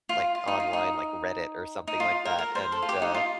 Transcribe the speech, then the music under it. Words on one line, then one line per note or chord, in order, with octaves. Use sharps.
like, online, like, Reddit or something like that, and, uh,
F4
F4
D#4
F4
D#4
D#4
F4
A#4
A#4
C5
A4
F4
G4
D#4
F4